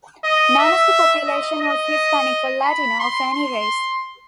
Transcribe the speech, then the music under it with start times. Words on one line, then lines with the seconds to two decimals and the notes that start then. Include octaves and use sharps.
None of the population was Hispanic or Latino of any race.
0.24 D#5
0.58 E5
1.27 D#5
1.62 D#5
2.65 B5
3.00 C6
3.34 C6